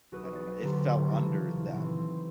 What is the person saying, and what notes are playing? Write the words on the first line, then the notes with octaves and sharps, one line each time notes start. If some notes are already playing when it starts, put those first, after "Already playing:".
I don't know it fell under that
B1 F#4 G#4 B4 E6 D#7
A6
D3 F#3 G4 C5 A#5 C6
C#3 E3 F3 E4 A4
D#1
E3 C4